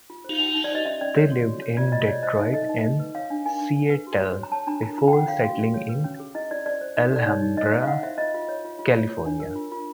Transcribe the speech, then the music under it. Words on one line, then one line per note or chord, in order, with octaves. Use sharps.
They lived in Detroit and Seattle before settling in Alhambra, California.
F4
C5
D#4
D#4
D5
C5 D#5
C#4 E5
C#4 D5
A4 C#5
F#4
F#4
C#5
F4 D5
F4 D#5
C#5 D5
C5 D#5
D#4 E5
A4 D#5
D#4
D#4
B4
C#5 F5
D4
A#4 G#5
D4
D4
B4
F#4
F#4
C#5
A#5
C#5 A5
D4 A#5
A#4 A#5
F4 A#5
G5
F4 F#5
C#5 F5
F#4 F5
F#4
C#5
B4
C#4
G#4
E4 D#5
E4 D5
C5 D5
C5
D#4
A4 D5
D#4 C#5
D#4
C#5 D#5
E4
F5
E4 F#5
C5 E5
F4 D#5
F4
C#5
F4
F4
C#5
C#5
D4
A#4
F4
F4